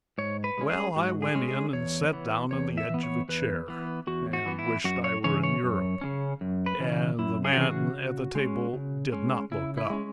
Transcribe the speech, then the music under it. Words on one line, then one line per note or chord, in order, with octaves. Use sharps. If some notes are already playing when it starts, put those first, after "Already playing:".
Well, I went in and sat down on the edge of a chair, and wished I were in Europe, and the man at the table did not look up.
G#2 C#5
B4
G#3 C#4
G#4
G#2 F#4
G#4
G#3 C#4
G#4
E2 C#5
E3 B3
E2 C#5
E5
E3 B3
C#5
E2 B4
E3 B3
E2 F#4
F#4
E3 B3
E4
F#2 F#4
C#5
C#3 E3 C#4 C#5
C#5
F#2
C#3 E3 C#4
F#2
B4
C#3 E3 C#4
F#2 E4
G#4
F#4
C#3 E3 C#4 G#4
F#4
C#3
G#3 C#4
C#3
G#3 C#4
C#3 E4
E4
G#3 C#4